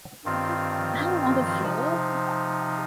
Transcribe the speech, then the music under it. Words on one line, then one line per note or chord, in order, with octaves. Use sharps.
I’m not a fool.
G2 D#3 C4 F4
C3 F3 D#4